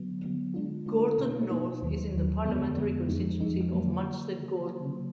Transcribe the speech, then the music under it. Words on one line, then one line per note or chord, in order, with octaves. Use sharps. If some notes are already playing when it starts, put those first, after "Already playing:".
Gorton North is in the parliamentary constituency of Manchester Gorton.
Already playing: D3 F#3 B3
D3 F#3 B3
D3 G#3 D4 F4
D3 G#3 D4 F4
B2 A#3 D#4
B2 A#3 D#4
D#2 D#3 F#3
D#2 D#3 F#3
F2 D3 G#3 B3
F2 D3 G#3 B3
F2 F3 G#3 D#4
F2 F3 G#3 D#4
D3 F#3 A#3